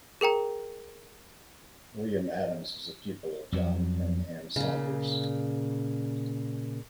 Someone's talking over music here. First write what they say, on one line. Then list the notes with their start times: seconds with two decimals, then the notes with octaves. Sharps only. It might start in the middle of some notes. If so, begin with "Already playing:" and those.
William Adams was a pupil of John Cunningham Saunders.
0.21 G#4 A#4 G5 A#5
3.52 F2 F#3
4.56 A#2 C#3